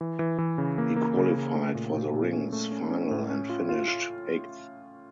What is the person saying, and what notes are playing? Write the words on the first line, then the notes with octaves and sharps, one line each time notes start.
He qualified for the rings final and finished eighth.
E3
E3
E3
C#3
A#3
A#3
C#3
C#3
A3
A#2
A#2
A#2
C#4
A3
C#4
C#4
A2
C#4
F4
F4
F4